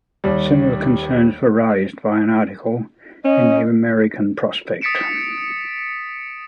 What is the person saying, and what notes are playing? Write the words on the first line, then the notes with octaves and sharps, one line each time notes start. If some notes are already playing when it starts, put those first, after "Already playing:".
Similar concerns were raised by an article in "The American Prospect".
D#2 G3
C#4 D#5
D#6 A6 B6 C#7 D7 E7